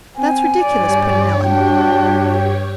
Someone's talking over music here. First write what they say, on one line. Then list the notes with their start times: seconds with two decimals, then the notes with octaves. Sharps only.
"That's ridiculous!" put in Ellen.
0.16 C4 G#5
0.62 G2 G4 C#5 D5
1.44 D4 F#4 G5